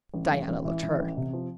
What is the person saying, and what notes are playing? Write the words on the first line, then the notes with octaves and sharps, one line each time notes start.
Diana looked hurt.
A1
A1
A1
E3
E3
A1
C3
F3